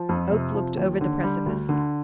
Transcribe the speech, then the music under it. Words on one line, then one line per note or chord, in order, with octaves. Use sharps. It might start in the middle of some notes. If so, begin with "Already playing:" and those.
Oak looked over the precipice.
Already playing: F3
F2
C3
F3
D#2
D3
G3
D2
D3